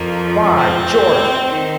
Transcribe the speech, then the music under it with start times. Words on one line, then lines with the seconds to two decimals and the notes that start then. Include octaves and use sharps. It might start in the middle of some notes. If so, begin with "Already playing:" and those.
By George!
Already playing: F2 F3 A#3
0.56 C4
1.47 D#3